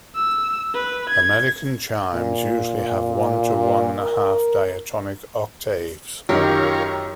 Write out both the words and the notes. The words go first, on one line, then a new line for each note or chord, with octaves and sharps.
American chimes usually have one to one and a half diatonic octaves.
E6
B4
G#6
A#2
A#4
F#2 D#3 F4 G4 A#4 C#5